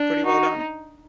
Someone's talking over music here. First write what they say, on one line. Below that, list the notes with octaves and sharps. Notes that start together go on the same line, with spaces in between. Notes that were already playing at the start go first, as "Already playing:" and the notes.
Pretty well done!
Already playing: D4
D#4 F#4